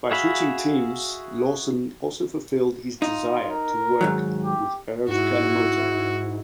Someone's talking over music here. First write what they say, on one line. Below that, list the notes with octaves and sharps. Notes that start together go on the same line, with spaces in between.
By switching teams, Lawson also fulfilled his desire to work with Erv Kanemoto.
F#4 G#4 E5 F5 B5
D#4 F4
A#4
G#2 D#3 F#3
G4
G#2 E4 F#4